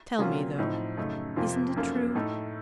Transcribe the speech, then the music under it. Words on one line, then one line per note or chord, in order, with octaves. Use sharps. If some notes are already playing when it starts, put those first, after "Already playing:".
Tell me, though, isn't it true?
C3 F#3 A#3 C#4 F4
A2 F3 C4 D#4
F#2 C#3 A3 D#4
F2 C3 F3 A#3 F4
F#2 F3 A#3 C#4 A4
A2 A3 D#4 A4